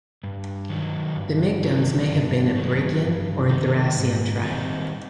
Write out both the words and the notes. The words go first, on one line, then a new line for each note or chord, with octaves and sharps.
The Mygdones may have been a Brigian or Thracian tribe.
G2
D#3 F#3
G2
D#3 F#3
G2
D#3 F#3
G2
D#3 F#3
G#2
D#3 G3 C4 D#4